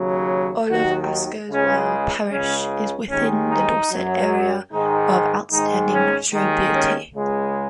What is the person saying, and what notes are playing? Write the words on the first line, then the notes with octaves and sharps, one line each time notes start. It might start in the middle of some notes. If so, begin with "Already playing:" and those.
All of Askerswell parish is within the Dorset Area of Outstanding Natural Beauty.
Already playing: D#2 C#3 F#3
D#2 D#3 F#3 F#4
C#2 C#3 G#3 C#4
C#2 C#3 G#3 C#4
D#2 D#3 G#3 C#4
D#4
F#2 F#3
G#2 D#3 G#3 D#4
G#2 D#3 G#3 D#4
C#4
D#2 D#3 G#3
C#4
C#2 C#3 G#3